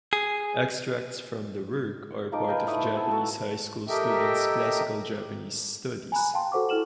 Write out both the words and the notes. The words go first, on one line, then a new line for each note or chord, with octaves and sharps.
Extracts from the work are part of Japanese high school students' classical Japanese studies.
G#4
F3 D#4 A#4 D6
B4 F5 G5 G#5
A3 E4 D5 D#6
C5 G#5
B3 G#5 A5 E6
F#4 A4 A#4
G4 A4 A#4 D#5 E5 G5
G#5 A#5 B5 F#6
F5 G5 A5 C6
F#4 A4 C5 F#5 C#6 D6
E4 A4 F6 E7 F#7